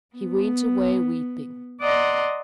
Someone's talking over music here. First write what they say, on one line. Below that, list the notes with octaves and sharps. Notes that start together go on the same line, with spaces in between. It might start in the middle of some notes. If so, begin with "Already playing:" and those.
He went away weeping.
B3
D5 D#5 F#5 A#5 C6